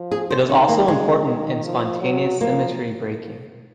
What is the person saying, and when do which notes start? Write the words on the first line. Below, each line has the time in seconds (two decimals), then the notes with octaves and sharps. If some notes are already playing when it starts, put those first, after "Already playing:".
It is also important in spontaneous symmetry breaking.
Already playing: F3
0.11 G#4
0.31 C5
0.49 D#3 C#4
0.69 A#3
0.88 C#3 G#3
1.25 D#3
1.64 F3
2.01 F#3
2.40 F3 A#3